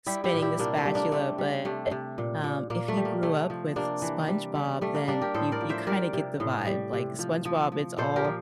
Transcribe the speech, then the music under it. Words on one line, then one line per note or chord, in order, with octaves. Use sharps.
spinning the spatula, but, um, if you grew up with SpongeBob, then you you kinda get the vibe. Like, SpongeBob, it's all
G3 E4 G4
E4 G4
A#2
E4 G4
C3 A#3 D4
A3 C4
G3
A#3 D4
C3 A3 C4
G3
C3 A3
C3
A#2
A#2
A#2 A#3
A3
G3
A#3
C3 A3
F3
C3 A#3 D4
E3
G3
G3
G3 A3
A#3
G3 A#3 D4
G4 A#4
A2 A4 C5
A#4 D5
F3
C5 E5
G3 A#4 D5
C3
A2
G3
C3
F3
F3
F3
A#2 A4 C5
G4 A#4
F3